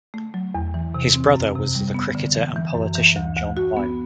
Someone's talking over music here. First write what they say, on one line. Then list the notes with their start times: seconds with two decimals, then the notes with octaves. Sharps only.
His brother was the cricketer and politician John Wiley.
0.14 A3
0.34 F#3
0.55 E2
0.74 E3
0.94 C3
1.14 C4
1.34 F#2
1.55 C3
1.75 G3
1.94 B3
2.15 D3
2.35 E3
2.56 E3
2.75 F#2
2.95 E3
3.16 D2
3.36 D2
3.57 F#4
3.77 B3